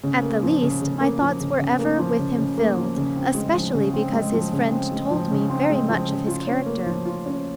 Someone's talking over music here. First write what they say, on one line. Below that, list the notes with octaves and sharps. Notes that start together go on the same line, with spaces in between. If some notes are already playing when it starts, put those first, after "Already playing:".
At the least, my thoughts were ever with him filled, especially because his friend told me very much of his character.
C#3
A#3
F3
C#3
C#3
A#3
F3
C#3
C#3
A#3
F3
C#3
C#3
A#3
F3
C#3
C4
G#3
F3
C#3
C4
G#3
F3
C#3
C4
G#3
F3
C#3
C4
G#3
F3
C#3
F4
C#4
A#3
F3
F4
C#4